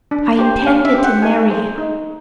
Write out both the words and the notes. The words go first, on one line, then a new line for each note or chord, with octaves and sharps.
I intended to marry him.
D4
G4 C5
D4 F5
E5
G4 C5
F#5
D#4 G#5
G#4 C5
D#4